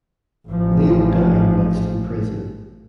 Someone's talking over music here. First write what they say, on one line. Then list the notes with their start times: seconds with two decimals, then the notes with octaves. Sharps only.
Leo died whilst in prison.
0.48 A1 F3